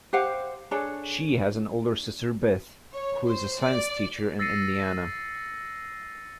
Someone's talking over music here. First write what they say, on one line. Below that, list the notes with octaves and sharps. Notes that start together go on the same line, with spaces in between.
She has an older sister Beth, who is a science teacher in Indiana.
G4 C5 F5 F#5
D4 G#4 A4 C#5
C#5
C5
D5
E6 A6 A#6 C7 C#7 D#7